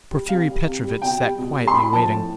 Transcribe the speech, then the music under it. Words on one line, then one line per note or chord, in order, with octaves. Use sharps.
Porfiry Petrovitch sat quietly waiting.
G3
C3 F5
G3
C3
G3
B2 G5
G3
B2
G3
C6
A2 B5
F3 A5
A2